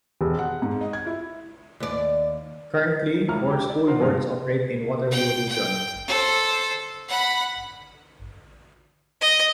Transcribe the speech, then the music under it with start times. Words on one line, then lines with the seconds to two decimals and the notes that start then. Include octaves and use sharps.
Currently, four school boards operate in Waterloo Region.
0.21 E1
0.39 F#5
0.62 G#2
0.81 D#5
0.93 G#6
1.06 E4
1.80 D#2 D5
3.28 C#2 E4 A#5 F6
3.51 G4 A#5
3.69 D5
3.87 F4 A#4 C5 F#5
4.00 G2 A#2 G#3 F5
5.11 G5
5.48 G5
6.07 A4 C5
7.09 F#5 B5
9.21 D#5